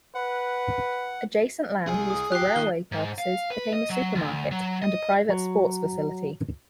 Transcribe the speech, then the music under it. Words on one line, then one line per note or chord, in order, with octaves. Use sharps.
Adjacent land used for railway purposes became a supermarket and a private sports facility.
B4 F#5
C2 G#4 G#5
D#6
F4 G4 G5 F#6 C7
D#3 D#5 G7
G#2
F5
B4
D#5
F#3
D2
F#3
D#5
F#3